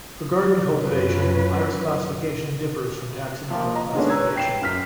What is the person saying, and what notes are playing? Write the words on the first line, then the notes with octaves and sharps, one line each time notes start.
For garden cultivation, iris classification differs from taxonomic classification.
F#2 F#3 C#4 F4 B4
F3 A#3
D#5 A#5
D3 D#3 G#3 B3 C#4 D4
B4 C#5 A#5 E6 G#6
G5 C7 E7
F#2 F6 B6